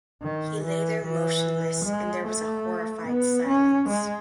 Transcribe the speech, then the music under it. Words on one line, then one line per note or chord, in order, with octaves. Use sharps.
He lay there motionless and there was a horrified silence.
D#3
E3
E3
G#3
A3
B3
C#4
G#3